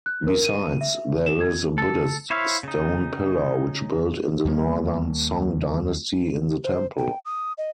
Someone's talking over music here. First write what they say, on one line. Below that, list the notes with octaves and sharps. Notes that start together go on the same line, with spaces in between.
Besides, there is a Buddhist stone pillar which built in the Northern Song Dynasty in the temple.
F#6
A#4
D#7
E5
E7
G#6
A4
E4 C5 C#5 E5 F5
C#3 D#4
D#2 G3 A#3
C5
G5
D#6
D#5